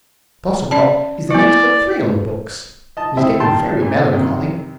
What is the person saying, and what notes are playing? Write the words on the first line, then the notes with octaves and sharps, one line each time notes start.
Postlecott is the next but three on the books, and is getting very melancholy.
C#4 D5 A5
B3 E4 D5
D#5 A5
C4 E4 G4 C5 D#5 E5
D#3 G3 G5 A5 C6
A#2 C#3
F#2 C3 D#3